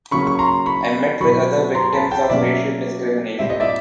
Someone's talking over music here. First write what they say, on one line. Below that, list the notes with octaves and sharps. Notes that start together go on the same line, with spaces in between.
I met with other victims of racial discrimination.
C#3 F#3 A#3 C#4 B5 C#6
C#6
A#5 C6
B5 C#6
B2 F#3 B3 B5 C#6
A#5 C6
A5 B5
G5 A5
B2 F#3 A#3 C#4 D5 E5
A#2 G3 C4 E5
D#5
D5 E5